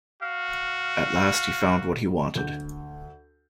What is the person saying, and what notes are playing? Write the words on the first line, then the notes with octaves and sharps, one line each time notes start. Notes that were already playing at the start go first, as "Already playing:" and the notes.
At last he found what he wanted.
F#4 F5
D2 G6